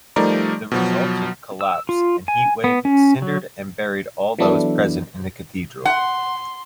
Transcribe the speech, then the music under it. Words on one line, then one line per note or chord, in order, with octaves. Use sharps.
The resultant collapse and heat-wave cindered and buried all those present in the Cathedral.
F3 G3 A3 D#4 A#4 D5
B2 F3 F#3
E6
F4
G#5
B3
C#4
F#3
E3 F#3 B3 D4 E4 A4
F#5 C6